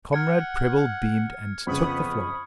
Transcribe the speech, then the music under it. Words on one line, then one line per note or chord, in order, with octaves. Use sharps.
Comrade Prebble beamed, and took the floor.
F#5 F6 G#6 C#7
F2 C#3 B3 B5 C#6 D#6